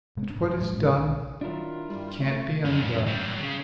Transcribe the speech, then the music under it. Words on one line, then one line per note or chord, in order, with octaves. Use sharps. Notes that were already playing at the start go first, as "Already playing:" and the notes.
But what is done can't be undone!
C3 G#3
G#1 D4
G2
A#1 A#2 F#3 G#3
A2 G#3 C#4
B1
D#3 F#3 D4 E4 F4 A#4
G2 G3
B1 A3
F2 C#4
F#3 G3
C#3